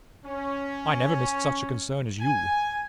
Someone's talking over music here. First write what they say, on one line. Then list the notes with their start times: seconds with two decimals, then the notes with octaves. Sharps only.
"I never missed such a concern as you."
0.25 C#4
2.19 G#5